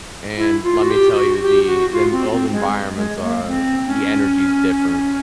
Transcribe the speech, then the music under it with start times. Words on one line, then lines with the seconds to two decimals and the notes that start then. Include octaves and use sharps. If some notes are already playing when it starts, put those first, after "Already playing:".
and let me tell you, the the those environments are the energy is different.
0.38 E4
0.63 F4
0.82 F#4
0.90 G4
1.15 F#4
1.42 G4
1.67 F#4
1.93 F4
2.12 C4
2.32 C4
2.52 G#3
2.96 G#3
3.22 A#3
3.48 C4
3.87 C#4